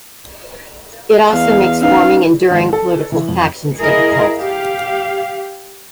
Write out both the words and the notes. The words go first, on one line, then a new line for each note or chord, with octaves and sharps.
It also makes forming enduring political factions difficult.
E2 F5
C#4 D#4 B4 F5
G#1
A4
E3
F2
E4 G#4 A#4 D#5
G4 F5